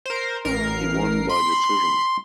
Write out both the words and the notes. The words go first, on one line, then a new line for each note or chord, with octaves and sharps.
He won by decision.
A#4 C5
A1 A#4 C7
B5 C6 C7